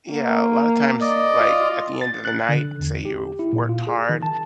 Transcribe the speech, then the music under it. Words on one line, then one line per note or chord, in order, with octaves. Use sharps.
yeah, a lotta times, like, at the end of the night, say you've worked hard,
A#3
D5 D#5
F4
A6
F#6
D3
E2
G4
E4
A#2
F4
G#4
D#3
A5